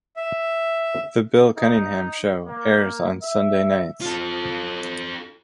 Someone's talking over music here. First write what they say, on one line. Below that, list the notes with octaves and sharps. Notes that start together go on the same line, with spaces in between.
"The Bill Cunningham Show" airs on Sunday nights.
E5
D#4
A#3
E5
F4 A4